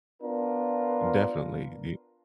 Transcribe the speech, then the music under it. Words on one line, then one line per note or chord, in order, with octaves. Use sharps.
definitely, the
B3 D4 F4 A#4